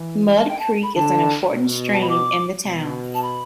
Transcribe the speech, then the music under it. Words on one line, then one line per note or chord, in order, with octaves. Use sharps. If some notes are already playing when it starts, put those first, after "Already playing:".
Mud Creek is an important stream in the town.
Already playing: E3
A5
G5
A5
B5
D3 A5
B2
A5
B5
D6
B2
A5
B5